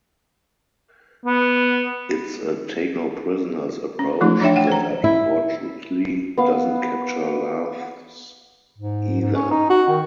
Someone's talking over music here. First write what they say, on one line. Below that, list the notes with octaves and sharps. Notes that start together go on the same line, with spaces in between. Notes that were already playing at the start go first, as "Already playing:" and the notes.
It's a take-no-prisoners approach that, unfortunately, doesn't capture laughs either.
B3
C#4
E3 F3 A3 D#4 F4
F3 D4 C#5 E5 G5
F#5 G5
C5 A#5
E4
B3 F5
G#2
G#2
C#4
D#4
F#4
D#3